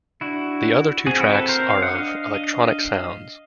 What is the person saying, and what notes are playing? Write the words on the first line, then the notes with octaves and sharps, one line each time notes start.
The other two tracks are of electronic sounds.
D4 E4 F#4
C4 F#4 G#4
E4 F#4
A4 B4
A#4 C5
F5
F#5
D4 D#5 F5
D#5 F5